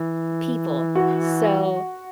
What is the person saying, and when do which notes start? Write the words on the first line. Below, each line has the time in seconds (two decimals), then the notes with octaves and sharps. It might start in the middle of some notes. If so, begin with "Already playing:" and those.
people. So,
Already playing: E3
0.95 F#4